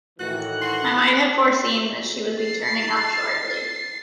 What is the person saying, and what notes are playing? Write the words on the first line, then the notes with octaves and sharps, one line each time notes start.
I might have foreseen that she would be turning up shortly.
A2 D#3 E3 F#4 F#6
F#4 C6
A6 C7